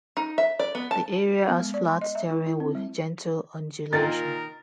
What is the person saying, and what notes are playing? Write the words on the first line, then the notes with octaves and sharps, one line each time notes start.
The area has flat terrain with gentle undulation.
D#4
E5
D5
B3
A5
B3
G#3
D5
C6
D#5
E5
E4
E4
C4
G3
A#2 D#3 A#4 A6